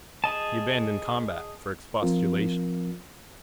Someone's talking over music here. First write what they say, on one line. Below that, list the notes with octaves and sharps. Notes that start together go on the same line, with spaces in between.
He abandoned combat for expostulation.
G#4 D#5 A5
F3 C4 F4 A#4